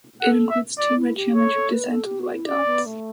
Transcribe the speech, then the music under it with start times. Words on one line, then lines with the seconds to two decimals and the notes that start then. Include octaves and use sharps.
It includes two red geometric designs with white dots.
0.21 A4 F#5
0.50 E5
0.78 D5
0.97 E4
1.16 G4
1.34 A4 C#5
1.54 A4
1.72 B4
1.91 A4
2.06 G4
2.19 F#4
2.34 E4
2.48 C#4 D5
2.66 B3
2.86 A3